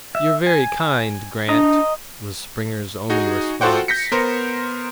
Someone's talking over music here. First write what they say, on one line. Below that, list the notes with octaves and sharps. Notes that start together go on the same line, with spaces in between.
"You're very kind, Grant," was Springer's only response.
E5
G#5
D4 D#5 A#5
D#4 F#4 G#4
F4 F#4 A4 C5 F#5 G5
G6 A#6 B6 C#7
B3 A#4 C5